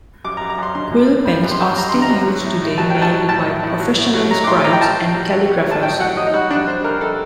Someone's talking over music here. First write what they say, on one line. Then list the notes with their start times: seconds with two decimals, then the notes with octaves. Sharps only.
Quill pens are still used today mainly by professional scribes and calligraphers.
0.25 F#2 D6
0.37 A#5
0.41 F#2
0.50 A#5
0.58 F#2 C6
0.75 D3 C6
0.92 F#2
1.09 D3
1.25 G3
1.43 F#2
1.52 C6
1.60 G3
1.77 G3 A#5
1.89 C6
1.94 D3
2.02 A#5
2.10 F#2
2.27 F#3
2.44 A2
2.61 A2
2.78 F#3 A5
2.90 F#3 G5
3.02 A5
3.12 F#3
3.29 A2 A5
3.46 A2
3.63 A2
3.80 F#3
3.97 A2
4.14 F#3
4.31 F#3 A#5
4.44 D6
4.47 A2 C6
4.64 A2 A#5
4.73 G5
4.81 A2 A5
4.99 A2
5.15 F#3
5.32 F#3
5.50 F#3
5.67 F#3 A5
5.83 A2 G5
6.00 F#3 F#5
6.17 F#3 D#5
6.27 D#4
6.34 G3 F#4
6.50 G3 D4
6.68 G3 C5
6.84 G3 A#4
7.01 G3 A4